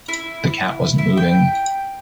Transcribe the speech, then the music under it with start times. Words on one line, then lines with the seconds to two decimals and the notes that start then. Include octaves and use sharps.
The cat wasn’t moving.
0.08 E4
0.98 E4
1.17 G5